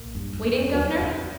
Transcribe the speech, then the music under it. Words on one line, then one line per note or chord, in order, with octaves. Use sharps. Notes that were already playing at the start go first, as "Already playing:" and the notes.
Waiting, guvnor?
Already playing: B1 A#2 A#3
G2
E2
F2
D#2 D3 F#3 B3
F2